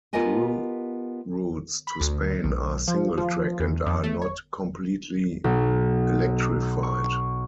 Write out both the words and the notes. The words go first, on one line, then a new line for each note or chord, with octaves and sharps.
Through routes to Spain are single-track and are not completely electrified.
B3 F4 G4 A#4 D#5 G#5
B5
D2
B1
F3
F3
E2
F2
A3
C#5
B1
C#6